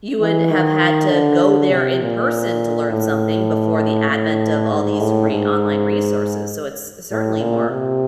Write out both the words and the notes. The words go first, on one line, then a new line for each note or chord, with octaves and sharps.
you would have had to go there in person to learn something before the advent of all these great online resources, so it's certainly more,
E3
D#3
D3
C3
A#2
A2
A2
G#2
A2
G#2
A2
A#2
C3